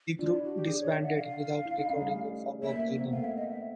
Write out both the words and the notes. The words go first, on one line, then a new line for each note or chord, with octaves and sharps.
The group disbanded without recording a follow-up album.
D4 F4
E4
F#4
G4
D4 G#4
C#5
E5
F#5
F5
E4
D#4
C#4
G3
A3
A#3 E5
A#3
C4
B3
A3 F5
E5
D#5
E5